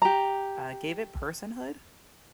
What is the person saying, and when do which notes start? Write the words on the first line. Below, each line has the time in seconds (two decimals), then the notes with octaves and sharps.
uh, gave it personhood,
0.02 G4 A#5